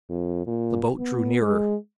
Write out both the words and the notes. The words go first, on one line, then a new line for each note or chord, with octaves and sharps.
The boat drew nearer.
F2
A#2
B3
G#3